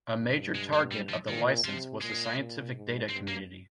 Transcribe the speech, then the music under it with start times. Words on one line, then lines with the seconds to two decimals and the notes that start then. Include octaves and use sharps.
A major target of the license was the scientific data community.
0.19 G2
0.55 G#3
0.73 A#3
0.91 G3
1.10 F3
1.28 A#2 D#3
1.64 C3 F3
2.01 A#2 G#3
2.37 A#2
2.74 G#2
3.09 G2 C4
3.28 A#3